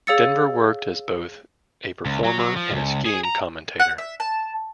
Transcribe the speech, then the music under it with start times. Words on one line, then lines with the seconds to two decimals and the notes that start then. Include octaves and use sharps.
Denver worked as both a performer and a skiing commentator.
0.07 G#4 C#5 F5 E6 A6 C#7
2.06 C#2
2.24 F#3
2.40 F#3
2.57 F3
2.71 C#2
3.06 G#4
3.25 A#5
3.80 F#5
3.98 E5
4.20 A5